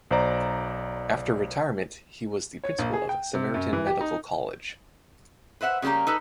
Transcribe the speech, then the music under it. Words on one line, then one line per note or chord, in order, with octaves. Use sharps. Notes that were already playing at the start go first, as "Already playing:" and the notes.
After retirement he was the principal of Samaritan Medical College.
B1 C5 D5 A#5
C#5
A#1
G#4
G5
C3
F#2
E3
G4
D#4
B4 C5 E5 F#5
C#3 G3 A#3 G4 A#5
D#4 A4 B4